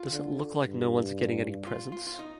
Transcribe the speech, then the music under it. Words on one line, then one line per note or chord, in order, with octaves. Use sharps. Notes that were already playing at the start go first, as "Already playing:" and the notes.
Does it look like no one's getting any presents?
Already playing: F4
D3
G2
F4
F4
F4
D#4